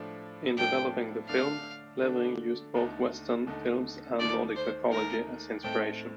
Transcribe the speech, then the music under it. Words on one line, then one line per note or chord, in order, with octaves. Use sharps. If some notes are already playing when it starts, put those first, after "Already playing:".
In developing the film, Levring used both Western films and Nordic mythology as inspiration.
Already playing: A2 F3 A3 D4
A2 F3 A3 D4 G5
D3 A3 D4 F5
D3 A3 D4
D#2 D3 A3 D#4
D#2 D3 A3 D#4
D#2 D#3 A3 D5
C5
D#2 D#3 A3 A#4
A2 A3 C4 D#4 G5